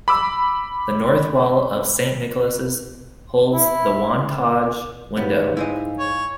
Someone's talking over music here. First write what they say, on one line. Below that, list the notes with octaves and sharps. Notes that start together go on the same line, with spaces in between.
The north wall of Saint Nicholas' holds the 'Wantage Window'.
B5 D6 E6
E4
G#2 B3 G4 B4 F5
E4 C5 D#5 F5 G#5
C#5